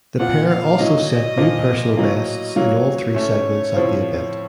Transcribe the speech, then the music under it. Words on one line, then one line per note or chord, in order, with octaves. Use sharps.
The pair also set new personal bests in all three segments at the event.
A#2 F3 C4 F4 F#5
F5
A2 F#3 A#3 D#5
D#5
A#2 F3 A#3
A2 F#3 A#3 D#5
F#3 A#3 F4 C#5
A2 A3 C#4
A2 F3 C4 F4